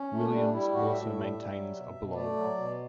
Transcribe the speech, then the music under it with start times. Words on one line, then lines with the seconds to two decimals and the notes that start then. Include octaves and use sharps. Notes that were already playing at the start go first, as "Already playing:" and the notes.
Williams also maintains a blog.
Already playing: C#4
0.11 A3
0.31 G3 D4
0.52 G3 E4
0.72 A2 F#4
0.92 A2 E5
1.13 G3
1.34 G3
1.54 F#3
1.75 B2
1.95 B2
2.16 A3 D5
2.36 F#3
2.57 B2